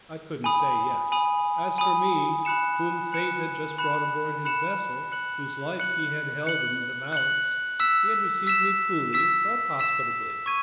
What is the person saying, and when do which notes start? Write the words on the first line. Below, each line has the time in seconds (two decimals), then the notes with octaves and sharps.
I couldn't say yet. As for me, whom fate had just brought aboard his vessel, whose life he had held in the balance: he had received me coolly but hospitably.
0.44 G#5 B5 D#6
1.12 G#5 B5 D#6
1.78 G#5 B5 D#6
2.45 B5 F#6 C#7 E7
3.12 B5 F#6 C#7 E7
3.78 B5 F#6 C#7 E7
4.45 B5 F#6 C#7 E7
5.12 F#6 C#7 F#7
5.80 F#6 C#7 F#7
6.46 F#6 C#7 F#7
7.13 F#6 C#7 F#7
7.80 E6 B6 E7
8.47 E6 B6 E7
9.13 E6 B6 E7
9.79 E6 B6 E7
10.46 C#6 G#6 D#7